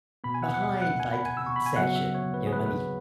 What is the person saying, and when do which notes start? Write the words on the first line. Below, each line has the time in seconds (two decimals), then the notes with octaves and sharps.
behind, like, each section, you know, maybe,
0.24 B2 B3 B5
0.34 G#5
0.43 F#5
0.54 F#5
0.62 E5
0.81 F#5
1.00 G#5
1.13 B5
1.26 G#5
1.37 E6
1.46 C#6
1.56 B5
1.66 G#5
1.76 C#3 F#3 B3 F#5
1.96 E5
2.15 C#5
2.34 B4
2.47 G#4
2.53 B4
2.66 B4